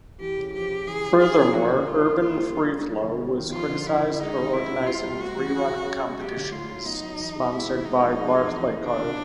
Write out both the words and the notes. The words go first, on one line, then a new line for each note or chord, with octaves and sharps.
Furthermore, Urban Freeflow was criticized for organizing freerunning competitions sponsored by Barclaycard.
E3 G4
C#3
F3 G4
C#3
E3 G#4
C#3
G3 G#4
E3
F3 F#4
D3
G#3 F4
D#3
A#3 F4
G3
B3
G#3
F3
D3
G3
D#3
F3 F4
D3
F3 E4
D3
G#3 D#4
D#3
G#3 E4
B2
C4 F4
G3
A3 F#4
E3
F#3
C#3
C#4
G#3
F#3 G4
D3
A3 F4
F#3
B3 D#4
F#3
E3
C3
G#3 E4
D#3
G#3 D#4
F3
G#3
F3
E3
C#3
D#3 D4
C3